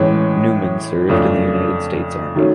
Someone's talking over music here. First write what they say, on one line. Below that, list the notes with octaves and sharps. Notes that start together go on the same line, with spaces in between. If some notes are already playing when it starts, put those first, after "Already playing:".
Newman served in the United States Army.
Already playing: A2 E3 G#3 C#4
F2 C#3 F3 A3 D4
D#3 F#3 A3 C#4